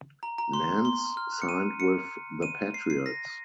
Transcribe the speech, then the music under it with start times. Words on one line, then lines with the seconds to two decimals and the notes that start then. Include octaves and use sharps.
Nance signed with the Patriots.
0.23 A#5
0.38 A#5
0.53 C6
0.85 C6
1.17 F6
1.33 F#6
1.42 C#7
1.49 D#7
1.80 C#7
2.42 D#7
2.74 C7
2.90 C7
3.06 A#6